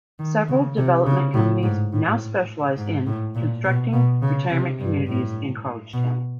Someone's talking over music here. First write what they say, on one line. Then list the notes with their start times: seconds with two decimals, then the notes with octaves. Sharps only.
Several development companies now specialize in constructing retirement communities in college towns.
0.19 D#3
0.49 C#3
0.77 C3
1.06 C#3
1.34 A2
1.63 G#2
1.92 A2
2.78 G#2
3.06 A2
3.35 A#2
3.64 B2
3.93 B2
4.22 C#3
4.50 C3
4.79 G2
5.07 A2
5.94 B2